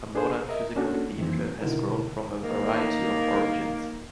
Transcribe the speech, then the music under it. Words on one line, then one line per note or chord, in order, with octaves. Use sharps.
A modern physical theater has grown from a variety of origins.
D4 G#4 A4 B4 C5
A#4 D#5 E5
A#3 C#4 D4 F#4 A4
F2 D#3 E3 F#3 A#3 C4
B2 D3 D#3 E4 A#4
D#3 A#3